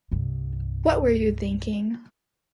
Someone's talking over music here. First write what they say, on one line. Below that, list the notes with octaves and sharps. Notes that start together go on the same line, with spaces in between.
What were you thinking?
C2 G2